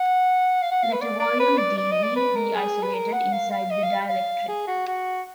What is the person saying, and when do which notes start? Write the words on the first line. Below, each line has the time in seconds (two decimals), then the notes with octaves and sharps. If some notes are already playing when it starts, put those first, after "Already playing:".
Let a volume d"V" be isolated inside the dielectric.
Already playing: F#5
0.62 F5
0.71 F#5
0.82 F5
0.93 B4
1.01 D5
1.20 D5
1.39 B4
1.58 D5
1.78 D5
1.91 D#5
2.03 D5
2.16 B4
2.36 A#4
2.55 G#4
2.83 B4
2.94 A#4
3.13 F#5
3.32 F5
3.51 F5
3.71 D#5
3.83 F5
4.09 F5
4.48 G#4
4.67 F#4
4.87 F#4